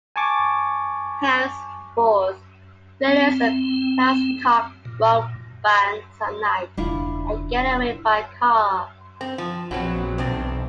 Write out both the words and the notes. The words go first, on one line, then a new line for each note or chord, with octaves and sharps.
Henceforth, Willis and Glasscock rob banks at night and get away by car.
G#5 A5 C#6 D6
C4
A#2
E1 C#3 D4 E4 F4
C4
F3
A#1 B2 F#3 C4
B1 E2 C4 D4